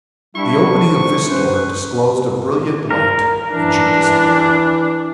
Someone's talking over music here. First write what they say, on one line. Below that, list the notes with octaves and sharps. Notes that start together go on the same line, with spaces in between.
The opening of this door disclosed a brilliant light, and she disappeared.
G2 G3 D4 E4 C#6
C3
C2 D3 C#4 B4 C5
A#4
E3 D4